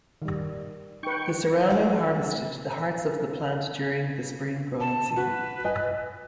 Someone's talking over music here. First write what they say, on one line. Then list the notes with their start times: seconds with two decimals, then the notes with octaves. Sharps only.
The Serrano harvested the hearts of the plant during the spring growing season.
0.22 D#3 G3
1.03 D#4 B4 G5 C#6
1.70 F#3 C4 D4 F4 F#4 G#4
4.80 A5
5.16 F#4 B4
5.65 D#5 G#5